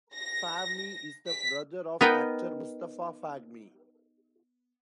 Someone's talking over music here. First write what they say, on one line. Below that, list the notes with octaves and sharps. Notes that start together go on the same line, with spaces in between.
Fahmy is the brother of actor Mustafa Fahmy.
A#6
B6
B3 D#4 A#4 B4 G5